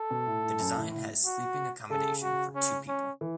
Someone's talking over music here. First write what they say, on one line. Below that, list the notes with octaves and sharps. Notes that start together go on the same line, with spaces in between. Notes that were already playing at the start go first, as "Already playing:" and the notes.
The design has sleeping accommodation for two people.
Already playing: A4
B2
A2
A2
F#2
A2
A2
F#4
C#3 A4
F#4
C#4
C#4
E3